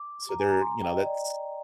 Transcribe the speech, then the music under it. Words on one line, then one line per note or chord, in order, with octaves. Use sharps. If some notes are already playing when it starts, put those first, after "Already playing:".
So they're you know, that's
Already playing: D6
A#5
G#5
A#5
C6
A#5
G5
D#5
D5